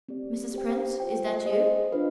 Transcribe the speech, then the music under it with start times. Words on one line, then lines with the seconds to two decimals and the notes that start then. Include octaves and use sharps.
"Mrs. Prince, is that you?"
0.08 C4 G4 D5
0.54 G4 C5 G5
1.00 F4 C5 G5
1.46 G#4 C5 D#5
1.91 D4 F4 B4 F5